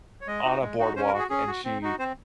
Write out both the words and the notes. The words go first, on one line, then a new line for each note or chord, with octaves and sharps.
on a boardwalk, and she
C#5
G#3 D#5
D#4 F#4
G#3
D#4 F#4
C#4 C5
A#4
F#4
G#4
C#4 G#4
F#4
C4
D#4 F#4
C4 C5